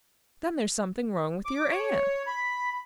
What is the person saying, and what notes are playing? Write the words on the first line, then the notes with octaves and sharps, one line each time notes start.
"Then there's something wrong with your aunt!"
D6
C#5
B5